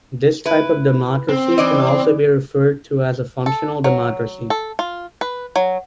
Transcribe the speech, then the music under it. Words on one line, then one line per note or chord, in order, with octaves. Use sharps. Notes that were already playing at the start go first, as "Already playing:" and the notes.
This type of democracy can also be referred to as a functional democracy.
E4 B4
C4
E3 D5 D#5
A4
F#3
A4
F4
B4
F#3